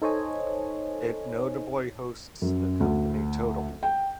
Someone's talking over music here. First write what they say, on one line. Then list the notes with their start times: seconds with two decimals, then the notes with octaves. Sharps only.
It notably hosts the company Total.
0.02 D#4 A4 C5 C#5 D#5 G#5
2.42 F#2
2.80 D2
3.83 G5